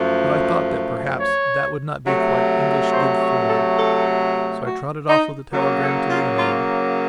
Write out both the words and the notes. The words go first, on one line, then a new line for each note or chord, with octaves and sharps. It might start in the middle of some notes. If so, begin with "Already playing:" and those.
But I thought that perhaps that would not be quite English good form, so I trotted off with the telegram to Leonora.
Already playing: F#2 F3 A3
C#5
C3 F#3 A3
C5
C#5
A4
A4
F#4
D#4
C#3 F#3 A#3
A4
F4
F4